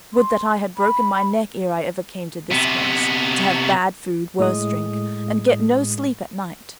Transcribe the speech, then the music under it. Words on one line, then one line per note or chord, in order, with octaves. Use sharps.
Would that I had broken my neck ere I ever came to this place, to have bad food, worse drink, and get no sleep at night!
C6
B5
C3 B3
A2 G#3 D#6